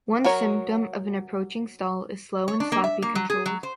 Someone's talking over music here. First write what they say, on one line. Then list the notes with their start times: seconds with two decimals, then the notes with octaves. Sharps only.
One symptom of an approaching stall is slow and sloppy controls.
0.24 F#3 F#4 A#4 C#5
2.48 C#5
2.60 D4
2.72 A#3
2.84 E5
3.02 A#3
3.15 F#3
3.30 G#4
3.46 F#3
3.63 C5